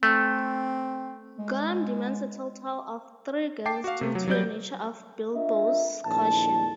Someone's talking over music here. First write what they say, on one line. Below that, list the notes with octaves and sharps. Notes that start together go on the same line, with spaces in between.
Gollum demands a total of three guesses due to the nature of Bilbo's question.
A3 C4
G#3
G5 A5 D6 C7
F#4 F5
C3 A3
F#3
F#3 G3 D5 G6
D4 F4 A#4 D#5 E5
A#1 F2 D#3 E4 A5